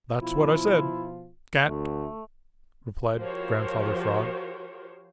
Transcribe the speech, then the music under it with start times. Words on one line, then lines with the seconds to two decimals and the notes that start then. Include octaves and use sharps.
"That's what I said--can't," replied Grandfather Frog.
0.19 B2 F3 E4 F4
1.66 D2 A3
3.15 F3 F#4 G4 A#4 C5 C#5